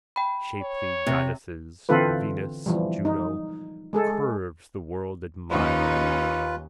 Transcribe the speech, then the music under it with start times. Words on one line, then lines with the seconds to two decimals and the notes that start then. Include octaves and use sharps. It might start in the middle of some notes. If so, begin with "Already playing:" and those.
Shapely goddesses, Venus, Juno: curves the world admires.
0.16 G5 B5
0.62 C#5
1.06 C3
1.89 D3 E3 C4 F4 A4 B4
2.66 E3 F3 G3
3.05 D#4
3.93 G#3 G#4 A4
5.51 D#2 C#4 D#4 F4 B4